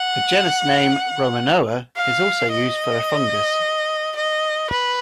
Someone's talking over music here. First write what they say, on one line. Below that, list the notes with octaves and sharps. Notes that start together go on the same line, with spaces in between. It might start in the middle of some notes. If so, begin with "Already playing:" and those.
The genus name "Romanoa" is also used for a fungus.
Already playing: F#5
F5
D#5
D#5
B4